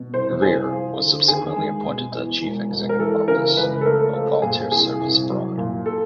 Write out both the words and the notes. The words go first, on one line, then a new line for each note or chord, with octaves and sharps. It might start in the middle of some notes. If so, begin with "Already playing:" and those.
Greer was subsequently appointed the chief executive office of Volunteer Service Abroad.
Already playing: B2
C2 C5
C2 G#4
F3
D3
D#2 G#4
G#3
B2
E2
E1
E1
A#4
E3 A4
C#3 A#4
C#2 B4
A4
A3 A#4
F3 A4
A#2 G#4
C2 G#4
C2
F#3
A#2
A4